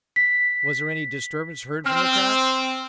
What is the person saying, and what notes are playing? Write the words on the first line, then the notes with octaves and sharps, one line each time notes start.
"Was there any disturbance heard from the crack?"
B6
C4 F6